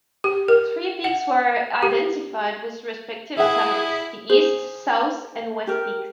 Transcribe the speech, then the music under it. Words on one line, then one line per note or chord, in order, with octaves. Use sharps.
Three peaks were identified with respective summits: the East, South, and West peaks.
G4
A#4
F#5
G4
E4 G#4 E5 F#5
G#4 C5
G4 A#4